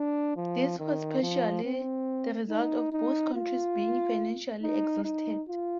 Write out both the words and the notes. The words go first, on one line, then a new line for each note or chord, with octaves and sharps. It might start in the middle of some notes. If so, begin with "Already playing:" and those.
This was partially the result of both countries being financially exhausted.
Already playing: D4
F3
D#3
F3
C4
D#4
D#4
F4
D#4
D#4
F4